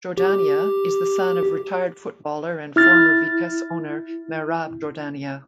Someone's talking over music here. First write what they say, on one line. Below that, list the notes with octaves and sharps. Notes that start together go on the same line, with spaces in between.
Jordania is the son of retired footballer and former Vitesse owner Merab Jordania.
G4
E4 F6 A6